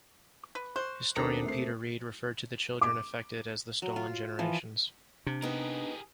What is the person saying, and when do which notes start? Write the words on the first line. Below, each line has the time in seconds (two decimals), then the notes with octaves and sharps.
Historian Peter Read referred to the children affected as the "Stolen Generations".
0.55 B4
0.76 C5 C#6 F#6
1.16 D#2 C4 D4 A4 A#4 A#5
1.46 A3 C4 C7
2.81 D6
3.82 F#3
3.96 F4
4.39 E3 F3
5.27 C3 D4
5.42 B3 D#4 G4 G#4 A#4